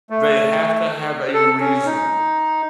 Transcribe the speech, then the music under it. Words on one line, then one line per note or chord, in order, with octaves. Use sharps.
They have to have a reason
A3
A4
C#4
D#4